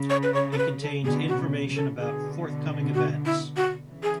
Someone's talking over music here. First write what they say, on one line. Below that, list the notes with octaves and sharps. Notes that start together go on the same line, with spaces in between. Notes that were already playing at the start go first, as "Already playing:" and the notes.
It contains information about forthcoming events.
Already playing: C#3
C#5
B4
C#5
A4
B4
A4
B2 D3 G#4
F#4
C#3
C#3
A4
B2 D3 G#4
F#4
E4
F#4
C#3 E3
G#4